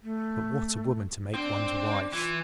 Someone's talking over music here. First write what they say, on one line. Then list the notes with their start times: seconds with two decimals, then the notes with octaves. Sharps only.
But what a woman to make ones wife!
0.03 A3
1.34 C4 D4
2.13 E3 F4